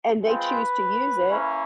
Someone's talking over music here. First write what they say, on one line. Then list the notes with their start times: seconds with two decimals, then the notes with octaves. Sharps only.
and they choose to use it,
0.24 G#3 C4 F4 B4
1.28 A#3 C#4 E4